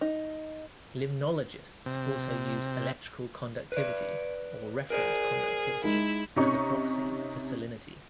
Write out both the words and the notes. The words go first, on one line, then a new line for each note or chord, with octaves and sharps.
Limnologists also use electrical conductivity, or "reference conductivity", as a proxy for salinity.
D#4
C3
B4 D5
G#4 A#4 C5 D5
G#3 D#4 E4
C3 C#4 D#4 C#6